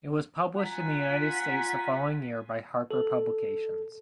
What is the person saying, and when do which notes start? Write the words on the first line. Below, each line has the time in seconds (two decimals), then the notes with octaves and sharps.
It was published in the United States the following year by Harper Publications.
0.60 F4 F#5 G#5 A#5 B6
2.91 A4